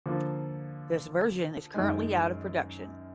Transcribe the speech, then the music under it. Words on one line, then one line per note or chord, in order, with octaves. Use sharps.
This version is currently out of production.
D3 F3 A#3 F4
F#2 D#3 G#3